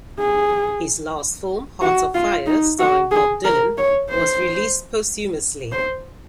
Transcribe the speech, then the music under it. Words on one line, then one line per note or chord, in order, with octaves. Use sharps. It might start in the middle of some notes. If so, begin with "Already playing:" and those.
His last film, "Hearts of Fire", starring Bob Dylan, was released posthumously.
G#4
F#4
F4
D#4
F#4
G#4
A#4
C#5
C5
C5